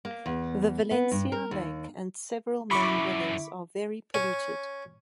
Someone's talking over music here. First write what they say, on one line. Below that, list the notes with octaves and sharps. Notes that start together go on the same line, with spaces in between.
The Valencia Lake and several main rivers are very polluted.
A#3
E2
B3
G2
A#4
D#2
F#2 D3 E4 B5 C#6 D6
C#4